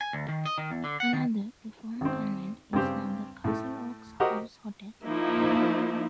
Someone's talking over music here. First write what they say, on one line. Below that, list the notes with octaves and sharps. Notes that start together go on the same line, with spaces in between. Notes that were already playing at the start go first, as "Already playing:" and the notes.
Another, the former convent, is now the Castleoaks House Hotel.
G#5
D2
D#3
D#5
D#3
E2
D3
F#5
D#3
G#1 C4
G2 C#3 C4 G4
A2 A3
F#4 G4 A#4 C5 D#5 F#5
F3 A#3 D#4 E4